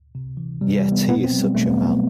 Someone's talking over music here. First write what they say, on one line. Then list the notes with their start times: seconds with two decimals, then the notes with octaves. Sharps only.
Yet he is such a man!
0.15 C3
0.37 E3
0.61 C3 G3
0.77 G3
0.85 E3
0.92 B3
1.08 B2 B3
1.24 C4
1.32 F#3
1.39 G3
1.55 B2 A3
1.71 B3
1.79 F#3